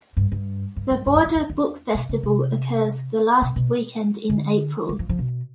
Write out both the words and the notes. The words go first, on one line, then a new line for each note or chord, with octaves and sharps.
The Border Book Festival occurs the last weekend in April.
G2
G2
G2
G2
G2
F#2
F2
E2
E2
B2
C#3
C3
B2
B2
D3
D#3
F3
F3
B2